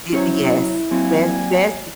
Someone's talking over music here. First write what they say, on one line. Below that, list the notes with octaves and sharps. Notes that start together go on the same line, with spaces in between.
It, yes, Be Bessie
F#3 C#4 E4 C5 C#5
F#3 G3 A#3 C4 G#5